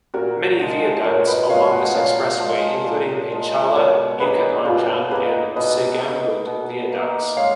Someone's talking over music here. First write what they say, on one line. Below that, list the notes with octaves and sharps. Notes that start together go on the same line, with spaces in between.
Many viaducts along this expressway including Penchala, Bukit Lanjan and Segambut viaducts.
A#2 F#4 A#4
F3 G#3
A#2 A#4 C#5
B4 D#5
F3 G#3 C#5 F5
D#5 F#5
A#2 C#5 F5
F3 G#3
A#2
F3 G#3
B2 A#4 C#5
A#3 D#4 G#4 B4
B2 F4 G#4
A#3 D#4 G#4 B4
B2 B4 D#5
A#3 D#4
B2
A#3 D#4
G#3 C#5 F5